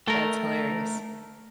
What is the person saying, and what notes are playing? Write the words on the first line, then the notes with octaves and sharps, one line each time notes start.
That's hilarious.
A3 A#4